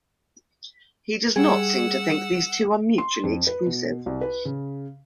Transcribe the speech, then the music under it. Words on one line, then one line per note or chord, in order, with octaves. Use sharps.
He does not seem to think these two are mutually exclusive.
G3 G#4 F#5 E6
C6
F2
B4
B2
C2
B4
C#3